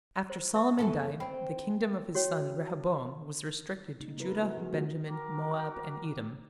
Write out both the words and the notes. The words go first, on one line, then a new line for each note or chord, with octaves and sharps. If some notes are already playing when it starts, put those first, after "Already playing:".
After Solomon died, the kingdom of his son Rehoboam was restricted to Judah, Benjamin, Moab, and Edom.
C5
B4 E5 C#6
F#2 E3 A4
C4 B5
F#4 C#5 G5
C#3 A#3 D#4
G3 B3 C4 E4 A#4 B4
A4
B3 F#4 A#4
F3 F#3 G#4
A3 C4 C#4 F4 F#4 G#4
F#4 A#4 G5 D6